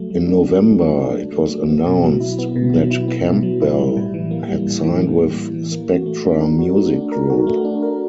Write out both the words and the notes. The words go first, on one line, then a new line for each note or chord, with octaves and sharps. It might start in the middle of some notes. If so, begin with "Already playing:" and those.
In November, it was announced that Campbell had signed with Spectra Music Group.
Already playing: F#3 A3
F#3
D4
F#3
A3
F#3
D4
F#3
A3
F#3
B3
B2
F#3
E4
B3
B2
F#3
E4
B3
B2
F#3
E4
G3
A2
E3
A#3
G3
A2
E3
A#3
G3
A2
E3
A#3
F#4
A3
D4
A#4
F#4
A3
D4
A#4
F#4
A3
D4
A#4